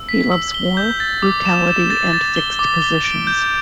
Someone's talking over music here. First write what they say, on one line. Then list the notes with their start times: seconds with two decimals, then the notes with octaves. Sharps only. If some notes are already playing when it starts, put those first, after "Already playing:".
He loves war, brutality and fixed positions.
Already playing: E6
0.09 B6
0.32 E6
0.54 G7
0.77 G6
1.00 A6
1.22 D6
1.45 E7
1.68 E7
1.90 A6
2.13 A6
2.36 G7
2.59 D6
2.82 G7
3.04 D7
3.27 G6